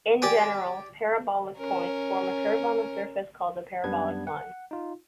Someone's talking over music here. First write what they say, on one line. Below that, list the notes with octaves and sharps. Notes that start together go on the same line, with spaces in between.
In general, parabolic points form a curve on the surface called the "parabolic line".
G4 D5 G5 G#5
C#4 A#4
F#2 G3 B3 D4 B4 G#6
F#5
D#4 F4